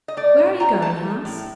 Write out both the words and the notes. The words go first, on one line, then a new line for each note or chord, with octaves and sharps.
'Where are you going, Hans?'
D#5
A3 D5
A#2
C4 A#5
A3 A5
A3
A2